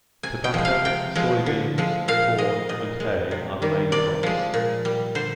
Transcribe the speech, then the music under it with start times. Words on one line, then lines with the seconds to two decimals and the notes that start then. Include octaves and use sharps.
Tobacco, soybeans, corn, and hay are the main crops.
0.23 C3 G#5
0.44 G5
0.54 F3 G#3
0.65 F5
0.85 C3 G5
1.15 F3 G#3
1.46 D3
1.78 F3 G#3
2.08 A#2 F5
2.38 G#3 D#5
2.69 A#2 D#5
3.00 G#3
3.31 C3
3.62 D#3 G3
3.92 C3 D5
4.23 F3 G#3
4.54 A#2
4.85 G3
5.15 D3 C5